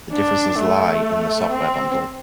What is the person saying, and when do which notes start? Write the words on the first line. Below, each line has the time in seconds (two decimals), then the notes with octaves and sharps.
The differences lie in the software bundle.
0.13 D4
0.59 A3
1.51 C4